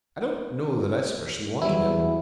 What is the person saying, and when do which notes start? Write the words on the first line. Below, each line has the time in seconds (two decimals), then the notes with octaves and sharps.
I don't know that I specially wanted him.
1.62 E2 F#3 G3 E4